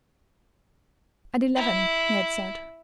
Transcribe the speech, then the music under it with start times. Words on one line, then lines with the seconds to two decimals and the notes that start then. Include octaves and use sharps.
'At eleven,' he had said.
1.56 E4